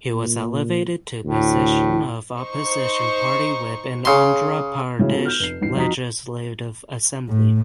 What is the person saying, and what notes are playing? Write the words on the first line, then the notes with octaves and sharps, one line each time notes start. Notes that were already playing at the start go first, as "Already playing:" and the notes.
He was elevated to position of opposition party Whip in Andhra Pradesh Legislative Assembly.
A#2
D2 A2
D#4 C5 C#6
C#3 C6
A2 C#3 E3 F#3 G#3
B3 F4 F#4 A4
F6 G6 E7
F1 C7
A1 E2 C7
F2 D#4 F#4 A#5 D#6 B6
A2